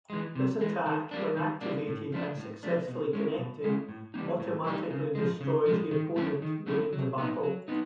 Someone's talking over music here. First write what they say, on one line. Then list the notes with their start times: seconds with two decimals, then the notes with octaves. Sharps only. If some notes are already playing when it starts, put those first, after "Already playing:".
This attack, when activated and successfully connected, automatically destroys the opponent, winning the battle.
0.10 E3 G#3
0.35 C3
0.61 E3 G#3
0.86 D#3
1.11 G3 A#3 D4
1.37 D#3
1.61 G3 A#3 D4
1.87 A2
2.12 F3 A3 D4
2.38 A2
2.63 F3 A3 D4
2.88 B2
3.13 G#3 C#4 E4
3.38 B2
3.64 G#3 C#4 E4
3.89 A2
4.14 E3 G3 A#3 D#4
4.40 A2
4.64 E3 G3 A#3 D#4
4.90 C#3
5.15 F3 G#3
5.41 C#3
5.66 F3 G#3
5.91 D#3
6.16 F#3 A3 C#4 E4
6.42 D#3
6.66 F#3 A3 C#4 E4
6.93 F#3
7.18 B3 D#4
7.43 F#3
7.68 B3 D#4